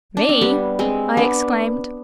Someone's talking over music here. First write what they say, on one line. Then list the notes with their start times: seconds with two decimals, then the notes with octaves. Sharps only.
"Me!" I exclaimed.
0.17 D4
0.29 C4
0.41 G3 B3
0.79 G#3 C4
1.17 B3 D4